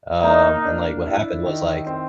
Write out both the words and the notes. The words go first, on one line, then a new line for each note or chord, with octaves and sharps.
um, and, like, what happened was, like,
A#3 D#4
D4
E4
D#3
C4